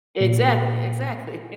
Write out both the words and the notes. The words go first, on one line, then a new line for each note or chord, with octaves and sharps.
Exactly, exactly.
A#2